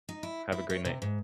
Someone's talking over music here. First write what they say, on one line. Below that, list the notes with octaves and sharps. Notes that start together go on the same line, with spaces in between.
Have a great night.
D#4
E4
E4
C#5
C3
G#2